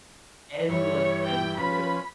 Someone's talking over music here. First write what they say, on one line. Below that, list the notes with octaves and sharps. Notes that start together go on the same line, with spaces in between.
Endless things to do.
G2 E3 C#5
G5
F3 C#4 B4 B5